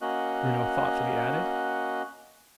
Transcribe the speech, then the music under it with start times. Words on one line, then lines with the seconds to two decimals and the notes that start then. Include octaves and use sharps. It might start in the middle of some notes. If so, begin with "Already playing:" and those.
Bruno thoughtfully added.
0.01 A#3 C#4 F#4 D#5 F#6